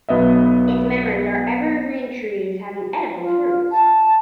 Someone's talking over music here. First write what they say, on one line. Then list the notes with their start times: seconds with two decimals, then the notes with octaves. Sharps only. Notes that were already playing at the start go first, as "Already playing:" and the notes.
Its members are evergreen trees having edible fruits.
0.09 B1 B3 D#5 E5
3.21 F4
3.71 A5